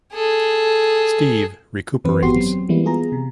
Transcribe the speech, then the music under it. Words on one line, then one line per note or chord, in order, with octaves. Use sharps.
Steve recuperates.
G#4 A4
F#2 E3 C4 B4
G#1 B3 F#4 G4 C6 C7
F#3 C4
E3 G3 G#3 A#3 B3 E4
B3 F4 G#4 A#5
C3